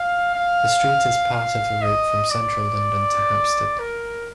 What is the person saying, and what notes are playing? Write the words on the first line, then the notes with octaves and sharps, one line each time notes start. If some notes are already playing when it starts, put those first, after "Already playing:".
The street is part of the route from central London to Hampstead.
Already playing: F5
F5
F5
D#5
D5
A#4